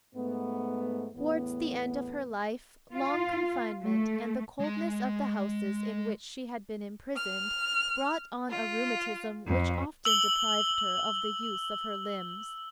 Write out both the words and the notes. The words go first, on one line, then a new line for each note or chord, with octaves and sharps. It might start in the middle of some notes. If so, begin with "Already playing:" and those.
Towards the end of her life, long confinement, and the coldness of the houses in which she had been imprisoned, brought on a rheumatism which often deprived her of the use of her limbs.
G#2 A3 B3
E2 A2 B3
F4
A3
G#3 C6
F6
F4
F2
E6 F#7 G7